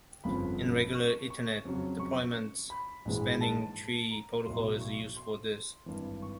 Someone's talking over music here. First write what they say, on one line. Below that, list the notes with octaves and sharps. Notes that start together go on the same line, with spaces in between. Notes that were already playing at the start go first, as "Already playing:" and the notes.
In regular Ethernet deployments, Spanning Tree Protocol is used for this.
G1 F2 C#3 F3 B5
C#6
C#6
F2 C#3 F#3
C#6
B5
A#1 G#2 E3 G#3
A5
A#5
B1 A2 F#3 C6
C#6
C6
G#1 G2 E3
C#6